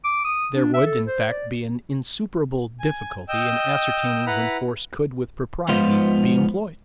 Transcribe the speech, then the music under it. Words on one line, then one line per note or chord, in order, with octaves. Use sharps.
There would, in fact, be an insuperable difficulty in ascertaining when force could with propriety be employed.
D6
D#6
D4
E5
A4
C5
D5
G#5
D#5 G5 E6
E4 B4 F#5 A#5 B5
G#2 F3 B3 F4